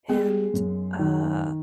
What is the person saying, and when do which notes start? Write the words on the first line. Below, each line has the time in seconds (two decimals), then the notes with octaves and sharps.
and, uh
0.09 G#3 B3
0.54 F#2
0.99 D#3